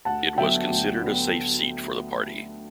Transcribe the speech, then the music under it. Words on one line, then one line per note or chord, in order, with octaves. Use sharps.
It was considered a safe seat for the party.
D2 F#5 A5
D3 F#3 B3 D4 E5 G5
D2
D3 F#3 B3 D4